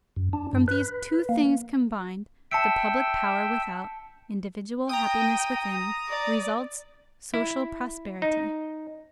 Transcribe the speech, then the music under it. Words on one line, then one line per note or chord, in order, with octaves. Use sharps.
From these two things combined, the public power without, individual happiness within, results social prosperity.
F#2
D4
G2
B4
A#3
E5 G5 A5 E6 C#7 D7
G5 A#5 D#6
D5
E4
D#4